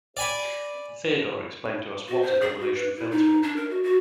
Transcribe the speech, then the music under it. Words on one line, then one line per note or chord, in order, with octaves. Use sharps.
Theodore explained to us what a convolution filter is.
D5 G#5 B5
F#4
C5
G#4
F#4
B4
E4
D#4
D4
A#4
F#4
F#4